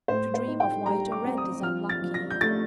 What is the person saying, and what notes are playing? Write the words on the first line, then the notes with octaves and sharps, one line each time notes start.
To dream of white or red is unlucky.
A2 C5
C5
D#4
G5
G3 A#5
D6
C4
D#6
F3 F6
A6
F3
A#6
G6
A3 A6